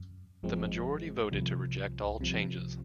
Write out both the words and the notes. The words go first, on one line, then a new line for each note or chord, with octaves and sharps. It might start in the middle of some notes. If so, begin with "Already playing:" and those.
The majority voted to reject all changes.
Already playing: F#2
G#1 F#2 F3 G#3 C4
C2 C3 F3
C2 C3 F3